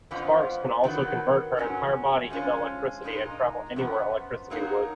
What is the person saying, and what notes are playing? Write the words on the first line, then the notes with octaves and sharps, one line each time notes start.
Sparks can also convert her entire body into electricity and travel anywhere electricity would.
F2 F3 B3
D#3 F#3 B3
G#2 F#3 C#4 F#4
F3 G#3 C#4 F4
A#2 G#3 D#4 A#4
F#2 F3 B3
F#3 A#3 D#4 A#4